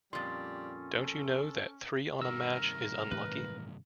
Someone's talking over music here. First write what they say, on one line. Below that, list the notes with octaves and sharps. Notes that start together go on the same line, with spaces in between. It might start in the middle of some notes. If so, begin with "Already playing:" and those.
Don't you know that three on a match is unlucky?
F2 A#2 G3 C#4 C6 A6
A4
G2 C3 D#3 A#4 E6
A2 E3 G#3 B4